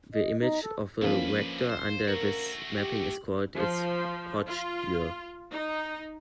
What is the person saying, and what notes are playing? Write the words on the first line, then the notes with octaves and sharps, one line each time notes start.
The image of a -vector under this mapping is called its "Hodge dual".
D#5
D#4
A4
D3 F3 A#3 C#4 B4
C5
A3 F#4 A#4
G4
F3
F4
D#4